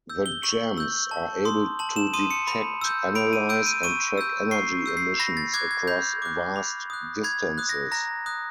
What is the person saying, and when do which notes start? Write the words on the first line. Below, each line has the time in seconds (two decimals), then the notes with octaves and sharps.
The gems are able to detect, analyze, and track energy emissions across vast distances.
0.10 E6 G6
0.26 G7
0.43 C#6 F#7
0.78 E6 G6
1.11 A5
1.45 C6 D#6
1.79 A5 F#7
1.96 E7
2.13 C6 D#6 D#7
2.31 C#7
2.47 B5
2.82 E6 G6
3.15 B5 D7
3.33 D#7
3.49 E6 G6 D7
3.66 D#7
3.83 C#6 D#7
4.18 E6 G6
4.51 C#6 C7
4.86 E6 G6
4.97 C7
5.20 B5 A#6
5.37 A6
5.54 D6 F#6 G#6
5.71 G#6
5.87 B5 G6
6.22 D6 F#6
6.56 B5
6.90 D#6 F#6
7.24 B5 G#6
7.58 D#6 F#6
7.69 A#6
7.92 A#5 A#6
8.26 D#6 F#6